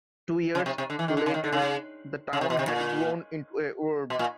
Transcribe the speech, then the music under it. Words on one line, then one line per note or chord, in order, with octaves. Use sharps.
Two years later the town had grown into a ward.
C#3
C3
C3
D3
E3
D#3
D3
C#3
D#3
D3
C#3
C#3
C3
B2
C3
A#2
B2
A#2